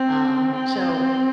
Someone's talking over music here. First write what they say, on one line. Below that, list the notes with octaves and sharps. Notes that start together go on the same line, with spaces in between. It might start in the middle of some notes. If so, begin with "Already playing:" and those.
Um, so,
Already playing: C4
C4